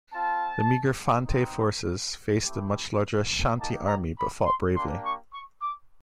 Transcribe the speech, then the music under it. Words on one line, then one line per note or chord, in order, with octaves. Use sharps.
The meagre Fante forces had faced a much larger Ashanti army, but fought bravely.
C4 F4 A5
G3 C4 D#4
A3 C4 E4 G4
A#3 D#4 G4 A5
A#5
B5
C6
A#3 D4 G4 C6
C#6
C#6
D6